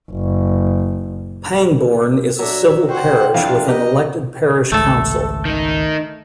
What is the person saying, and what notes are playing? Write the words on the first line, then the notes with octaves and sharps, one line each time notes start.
Pangbourne is a civil parish with an elected parish council.
F#1
F#3 D4 E5
C5 F#5 G5 C#6
F2 D4 E4 F4 F5
B3 G4 A#4 D#5
G#1 C#2 A3 A4
D#3 D#4